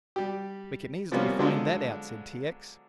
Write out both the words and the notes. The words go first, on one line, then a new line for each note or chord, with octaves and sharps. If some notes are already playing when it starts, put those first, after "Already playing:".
"We can easily find that out," said T. X.
G3 G4
C3 F3 G3 A#3 B3 C#4
D3 F3 F#3 G#3 B3 D4